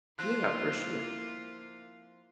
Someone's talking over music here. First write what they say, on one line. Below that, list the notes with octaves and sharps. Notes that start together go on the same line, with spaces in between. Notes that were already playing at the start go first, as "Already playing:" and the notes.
Yeah, for sure.
F3 A#3 C4 E4 F4 F#6